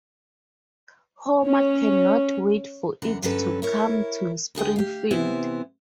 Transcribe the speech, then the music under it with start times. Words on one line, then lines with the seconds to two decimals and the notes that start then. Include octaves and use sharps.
Homer cannot wait for it to come to Springfield.
1.43 C#4 C#5
3.02 F#2 D3 E3 F#5
3.22 G2 D3 F#3 C#4 A4 B4
3.62 E4 A#4 C#5
4.55 D2 D3 G#4 G5
4.76 G4 F5
5.11 C3 E3 B3 E4 C5